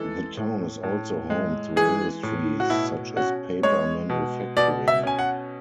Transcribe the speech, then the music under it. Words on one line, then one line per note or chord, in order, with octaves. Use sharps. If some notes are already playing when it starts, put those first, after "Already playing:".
The town is also home to industries such as paper manufacturing.
Already playing: E3 G#3 A4
A2
A2
G#3
E3 G#4
A2
F#4
B2 E4
C#4 F#4
G#3 C#5
B2
B2 D5
E5
C#4 G#5
F#5